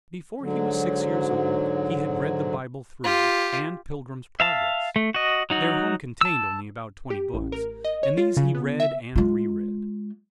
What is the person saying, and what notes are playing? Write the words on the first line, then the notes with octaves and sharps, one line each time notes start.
Before he was six years old he had read the Bible through, and "Pilgrim's Progress." Their home contained only about twenty books, and these he read and re-read.
G#2 D3 F#3
F4 G4
E5 F5 A5
A3
F#4 D#5
F#3 D#4 F#4
A5 E6
G4
A1
A#4
D#5
C#5
F4
C#3
B3
E5
G#3 F4